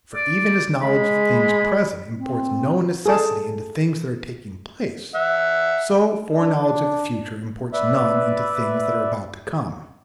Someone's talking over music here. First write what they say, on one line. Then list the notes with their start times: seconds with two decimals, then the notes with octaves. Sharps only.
For even as knowledge of things present imports no necessity into things that are taking place, so foreknowledge of the future imports none into things that are about to come.
0.15 D5
0.82 G#3 B5
2.18 C4
3.06 G#4 A4 A5
5.15 E5 F#5
6.30 D4
7.73 B4 D5 E5